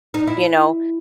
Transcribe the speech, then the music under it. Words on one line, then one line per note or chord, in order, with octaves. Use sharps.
You know?
D#4
E4